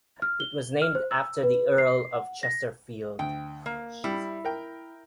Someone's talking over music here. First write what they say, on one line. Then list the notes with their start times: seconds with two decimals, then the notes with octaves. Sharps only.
It was named after the Earl of Chesterfield.
0.22 F6
0.40 G7
0.82 F6
0.95 C5
1.11 E6
1.43 B4
1.78 C7
2.15 F#5
2.43 A#6
3.19 D2 G5
3.66 A#3
4.04 G3 E4
4.45 A#4 G5